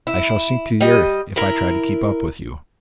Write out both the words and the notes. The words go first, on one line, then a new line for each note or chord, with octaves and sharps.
I shall sink to the earth if I try to keep up with you.'
E4
G3 D#5
E4 A#4